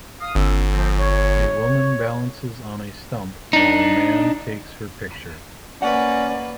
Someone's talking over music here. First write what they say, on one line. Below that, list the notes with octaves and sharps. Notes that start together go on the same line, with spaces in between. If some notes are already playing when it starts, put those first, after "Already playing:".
A woman balances on a stump while a man takes her picture.
F5 D#6
G1 C#4 E6
F3 C4
C#5
D4 D#4
A#3 C#4 B4 D5 F#5